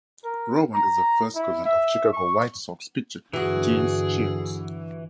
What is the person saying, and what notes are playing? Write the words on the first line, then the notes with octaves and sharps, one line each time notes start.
Rowand is the first cousin of Chicago White Sox pitcher James Shields.
A#4
A#5
E4
E5
C#6
G2 D3 E3 F#3 F#4 G#4